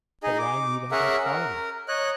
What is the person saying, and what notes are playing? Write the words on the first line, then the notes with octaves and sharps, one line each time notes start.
But why need I go farther?
D#4 G#4 D#5
D6
C#4 G#4 A#4 E5 F#5
A#4
C#5 D#5 F#6